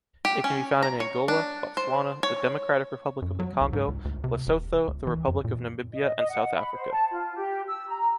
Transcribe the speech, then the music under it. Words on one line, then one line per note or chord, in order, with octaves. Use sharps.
It can be found in Angola, Botswana, the Democratic Republic of the Congo, Lesotho, the Republic of Namibia and South Africa.
G4
C#4
A#5
C#5
D4
C5
C#5
F#2
F#3
C2
G#2
C#2
D2
C3
E1
D2
E3
F#2
A#2
D#5
D#5
F#5
B5
C5
A5
F4
G4
E6
A#5